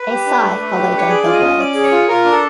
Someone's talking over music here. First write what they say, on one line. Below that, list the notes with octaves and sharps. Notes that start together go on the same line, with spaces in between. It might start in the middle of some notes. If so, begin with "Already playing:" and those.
A sigh followed on the words.
Already playing: B4
G4
D4
A3
A3
G4
D4
C#5
G#4 D5
F4
D#5
C#4
C#4 D5
G#4
C#5
F4
F4 A#4
D4
A4